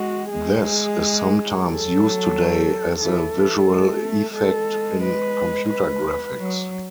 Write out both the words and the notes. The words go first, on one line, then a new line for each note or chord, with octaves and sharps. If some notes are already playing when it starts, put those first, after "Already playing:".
This is sometimes used today as a visual effect in computer graphics.
Already playing: G#3 F#4
G#3 G#4
F#3 A4
E3 A4
E3
G#3
A3
G#3 A4
B4
B4
F#3